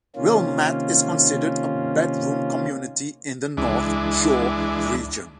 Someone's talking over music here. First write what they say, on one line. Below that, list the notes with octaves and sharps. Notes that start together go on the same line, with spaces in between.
Wilmette is considered a bedroom community in the North Shore region.
C3 D#3 A#3 C#4 F4
C#2 E3 G#3 D4